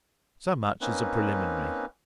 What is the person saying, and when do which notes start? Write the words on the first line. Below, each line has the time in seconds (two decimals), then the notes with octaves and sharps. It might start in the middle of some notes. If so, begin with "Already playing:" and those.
So much as a preliminary.
0.81 A#3 C4 C#4 D#4 B4